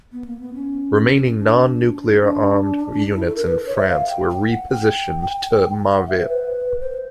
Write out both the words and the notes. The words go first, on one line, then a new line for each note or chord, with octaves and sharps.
Remaining non-nuclear armed units in France were re-positioned to Marville.
B3
A#3
B3
C#4
D4
D4
E4
A4
A#4
B4
C#5
E5
F5
G5
F#5
G5
F#5
E5
C5
B4
C5